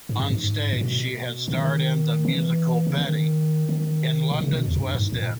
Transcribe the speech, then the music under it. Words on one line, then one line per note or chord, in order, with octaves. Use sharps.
On stage she has starred in the musical "Betty", in London's West End.
G#2
G2
G#2
A#2
B2
C#3
D#3
E3
C#3
D#3
D#3
B2
C#3
B2
E2
G2
G#2
A#2